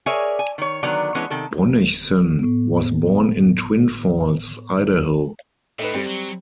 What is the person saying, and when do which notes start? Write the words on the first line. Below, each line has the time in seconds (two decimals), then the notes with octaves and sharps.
Bonnichsen was born in Twin Falls, Idaho.
0.06 G#4 A#4 C#5 D5 E5 G#5
0.39 G#5
0.58 D#3 C#5
0.83 D3 D#3 F#3 B3 D5 A#5
1.15 E3 G#3 B3 C#4 D4 C#5
1.30 C3 D#3 A4
2.39 A2 B3
5.79 A2 A3 D#4 B4
5.94 G2 G3 C4
6.06 F#3